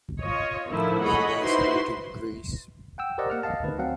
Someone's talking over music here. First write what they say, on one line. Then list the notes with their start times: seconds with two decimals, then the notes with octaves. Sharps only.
Ambassador to Greece.
0.21 F4 C#5 D#5
0.69 A2 D3 D#3 F3 E4
1.04 G#4 A4 C#5 D#5 F#5 B5
1.39 D#4 E4 F#4 B4 C5 C6
2.98 F#5 G5 E6
3.18 G4 A#4 C5 D5 D#5 F#5
3.30 A#3 F#5 F6
3.43 D#5 F5 A5
3.63 D2 D#3 B4
3.78 F#3 C4 F5 F#5